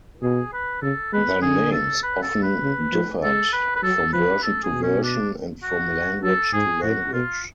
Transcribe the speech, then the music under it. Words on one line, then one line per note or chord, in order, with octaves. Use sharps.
Their names often differed from version to version and from language to language.
B2 G#4
B4
C#3 A4
G#3 B4
D3 G#4
A4
B4
A4
B4
C#3
F3
G#3 A4
B4
B4
F#3 A4
F3 B4
A4
G#4
B2
C#4
D4
F#4
F#3 A4
G#2 G#4
A2 F#4
B2 F4